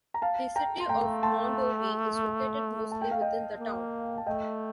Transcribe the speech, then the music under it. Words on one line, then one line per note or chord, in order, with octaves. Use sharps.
The city of Mondovi is located mostly within the town.
A#5
F5 A5
G5 A#5
C6
A3 G5 A#5
A5 C6
A5
G5
F5
D#5 G5
A#3
A5
A3 D#5 G5